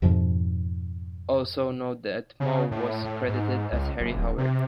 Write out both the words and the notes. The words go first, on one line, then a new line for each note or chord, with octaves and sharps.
Also note that Moe was credited as Harry Howard.
F2 G#2 B2 F3
C#3
A2
A2
G#2
C#2
F#1
D1
C3